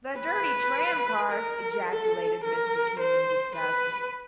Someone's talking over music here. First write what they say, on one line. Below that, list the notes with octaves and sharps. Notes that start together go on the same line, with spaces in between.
"The dirty tram-cars," ejaculated Mr. King, in disgust.
B4
A#4
A4
A#4
C5
B4